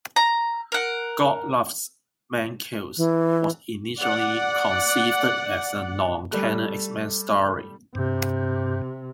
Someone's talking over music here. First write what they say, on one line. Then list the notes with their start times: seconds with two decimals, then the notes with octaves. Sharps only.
"God Loves, Man Kills" was initially conceived as a non-canon X-Men story.
0.16 A#5
0.72 A#4 F#5
2.97 E3
4.00 D5 F#5
6.31 G3 A3 F#6
7.95 G2 C3